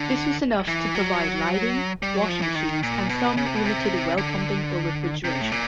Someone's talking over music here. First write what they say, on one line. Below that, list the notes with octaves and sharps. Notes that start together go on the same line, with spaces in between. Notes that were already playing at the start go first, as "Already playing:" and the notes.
This was enough to provide lighting, washing machines and some limited well-pumping or refrigeration.
Already playing: D3
E3
F#3
G3
F#3
F3
E3
D#3
A#2
B2
C#3
C3
B2
C3
D3
C3
A2
A#2